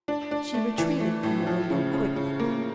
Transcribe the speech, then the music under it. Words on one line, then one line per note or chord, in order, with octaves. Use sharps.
She retreated from the window quickly.
D4
D4
A3
E3
A3
A2
F3
C#3
C#3
C#3
A#3